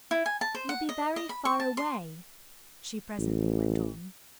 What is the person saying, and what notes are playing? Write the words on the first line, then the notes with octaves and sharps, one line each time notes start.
"You'll be very far away," she presently went on.
E4
G#5
A5
C5
F#5
D#5
D#5
B5
C#6
A5
C6
A1